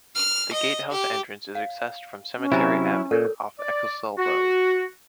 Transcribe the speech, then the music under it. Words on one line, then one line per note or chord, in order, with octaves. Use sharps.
The Gatehouse entrance is accessed from Cemetery Avenue off Eccelsall Road.
F6
D#5
G4
C#5 F5
C#4
C3 F#3 E4 C5 G#5 A#5
A#2 A4 A#4 C#5
D5
F#4